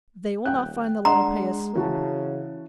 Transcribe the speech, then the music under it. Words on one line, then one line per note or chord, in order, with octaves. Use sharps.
"They will not find the Lenape asleep."
D#1 G5 F#6
G#3 D4 F#5 A#5 C6
C#3 E3 F#4 A5